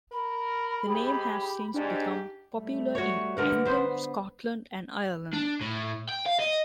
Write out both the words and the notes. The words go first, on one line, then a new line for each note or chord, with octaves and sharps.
The name has since become popular in England, Scotland and Ireland.
A#4 B5
G#2 G4 G#4
G#2 D4 G4
G3 A3
F#4 C#5
D3 A#4 B4 F#5
B3 C5
D4
A2
G5
F5
D#5